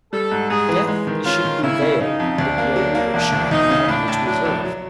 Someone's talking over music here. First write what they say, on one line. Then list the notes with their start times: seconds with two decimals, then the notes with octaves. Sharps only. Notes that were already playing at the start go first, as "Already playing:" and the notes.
Death should be veiled, the grave should have its reserve.
0.13 G3 A4
0.31 G#2
0.50 G#2 G#4
0.69 E3
0.88 G#3
1.07 D#3
1.26 C#4 F4
1.45 D#3
1.63 C#3 E4
1.82 C#3
2.01 C#3 D#4
2.20 F2
2.38 D2 D4
2.58 A#3
2.76 F#3
2.95 A#3
3.14 E1 D4
3.33 D2
3.51 D2 D#4
3.70 C#3
3.88 A2 D4
4.08 A2
4.26 F#3 D4
4.45 A#1
4.65 F#3